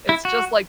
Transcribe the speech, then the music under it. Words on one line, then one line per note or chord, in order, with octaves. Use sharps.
it's just like,
E4
F#4